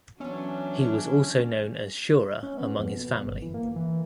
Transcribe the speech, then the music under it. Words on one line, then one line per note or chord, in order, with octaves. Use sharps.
He was also known as Shura among his family.
E3 F#3 B3 C#4 D4
C#4
B3
F2
B2
G1
E3
A#3
E3